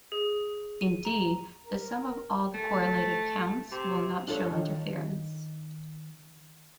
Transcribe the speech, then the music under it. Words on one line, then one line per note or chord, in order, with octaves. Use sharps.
In D, the sum of all the correlated counts will not show interference.
G#4
D#7
A#5
A#4
A3
C3
D4 F4 A4 B4 C#5
D#3